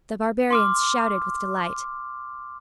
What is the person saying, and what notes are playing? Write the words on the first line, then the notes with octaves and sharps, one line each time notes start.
The barbarians shouted with delight.
C6 D6 F6